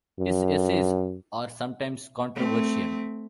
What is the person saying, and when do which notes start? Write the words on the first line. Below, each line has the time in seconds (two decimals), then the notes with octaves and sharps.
His essays are sometimes controversial.
0.19 F#2
2.35 A3 C4